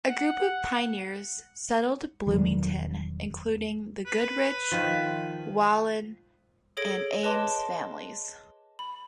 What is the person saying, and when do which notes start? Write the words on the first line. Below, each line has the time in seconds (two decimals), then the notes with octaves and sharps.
A group of pioneers settled Bloomington, including the Goodrich, Whalon, and Ames families.
0.09 F#5
2.26 E1 D#3 F#3 G3
4.06 B4
4.72 D#3 F3
6.77 G#4 A4 C#5 G#6 A#6 D7
7.23 B4 D#5 A5 C6 D6
8.79 B5